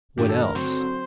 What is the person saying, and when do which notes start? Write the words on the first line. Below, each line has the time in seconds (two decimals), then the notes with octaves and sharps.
What else?...
0.17 G2 D#3 A3 D4 F#4 G4
0.29 A4
0.42 A#4
0.55 D3 F#3 C4 F#4 C5